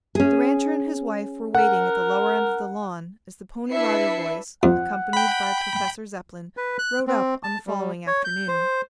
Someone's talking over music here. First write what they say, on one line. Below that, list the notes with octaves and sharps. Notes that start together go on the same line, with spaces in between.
The rancher and his wife were waiting at the lower end of the lawn as the Pony Rider Boys, accompanied by Professor Zepplin, rode up on the following afternoon.
C#4 G#4
A#4 F#5
D4 E4 B4 E5 C7 C#7
F2 F#5
G5 B5
B4
F#6
C4
A5
G3
C#5
G6
C5